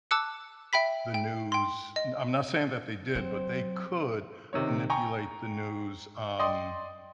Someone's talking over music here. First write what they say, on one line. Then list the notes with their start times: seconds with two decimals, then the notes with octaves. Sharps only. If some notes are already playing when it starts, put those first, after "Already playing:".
the news mm, I'm not saying that they did, but they could manipulate the news, um,
0.11 A5 D6 E6 F#6 C#7
0.73 E5 G5 B5 B6
1.14 G5
1.52 G5 C6
1.96 D#5
3.15 F#3 C4
4.53 C3 D#3 C#5
4.90 G5 G#5 A#5 C#6
6.39 D5 D#5 G5 C6 D#6